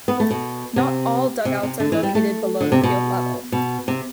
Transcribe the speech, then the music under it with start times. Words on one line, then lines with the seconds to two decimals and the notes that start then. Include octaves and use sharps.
Not all dugouts are located below the field level.
0.08 B3
0.20 A3
0.31 B2
0.76 C3
1.45 C3
1.63 C3
1.80 D3
1.92 E3
2.03 G3
2.15 A3
2.61 D3
2.72 C3
2.83 B2
3.52 B2
3.88 C3